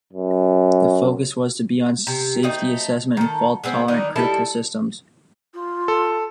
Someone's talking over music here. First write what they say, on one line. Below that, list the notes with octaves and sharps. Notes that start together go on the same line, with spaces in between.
The focus was to be on safety assessment and fault-tolerant critical systems.
F#2
C3
A3 C4 D#4
D#3 A4
G#3 B3 C4
D#3 E3 D4 D#4
G3 D#4 E4 A4
F4
A4